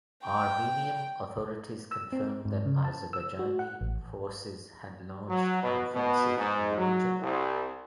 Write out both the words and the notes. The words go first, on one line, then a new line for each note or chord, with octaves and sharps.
Armenian authorities confirmed that Azerbaijani forces had launched an offensive in the region.
G5
E6
C4
G#2
C#3
A5
E6
F#4
F#5
A1
F#3
B2
B2
G#2
F#3
C2